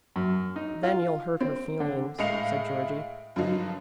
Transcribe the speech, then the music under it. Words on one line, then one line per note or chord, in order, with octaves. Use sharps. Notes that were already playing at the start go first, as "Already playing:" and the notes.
"Then you'll hurt her feelings," said Georgie.
F#2
D#4
F4
C4
D3
A2 G#3 D#5 F5 C#7 F7
G2 D3 F3 F#3 D#4